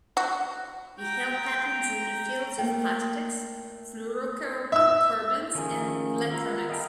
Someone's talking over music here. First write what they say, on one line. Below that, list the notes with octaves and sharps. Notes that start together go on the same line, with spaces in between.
He held patents in the fields of plastics, fluorocarbons, and electronics.
F#4
G5 A#5
A3 A#3 A#4 G5
E5 E6
D#3 F3 C#4 G#4
B3 F4 A4 A#4 A#5
D#5 F5 G5 A5 B5